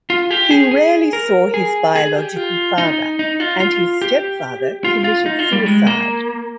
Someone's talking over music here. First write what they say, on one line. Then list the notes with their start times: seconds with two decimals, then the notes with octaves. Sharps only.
He rarely saw his biological father, and his stepfather committed suicide.
0.10 F4
0.31 G4
0.51 G#4
0.71 G#4
1.13 A#4
1.54 G#4
1.95 G#4
2.16 G4
2.36 F4
2.78 D#4
3.19 D#4
3.40 F4
3.60 F4
4.02 G4
4.84 F4
5.04 F4
5.26 D#4
5.39 F4
5.53 G3
5.66 G#3
5.87 A#3